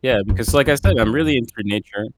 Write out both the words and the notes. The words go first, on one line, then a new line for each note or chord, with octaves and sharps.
Yeah, because like, I said, I'm really into nature.
F#2
F#2
F2
F#2
F#2
F2